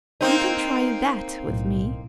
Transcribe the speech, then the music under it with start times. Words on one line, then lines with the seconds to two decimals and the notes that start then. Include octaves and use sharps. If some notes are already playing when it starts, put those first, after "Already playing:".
You can try that with me.
0.21 A#3 C4 D#4
1.48 B1 A2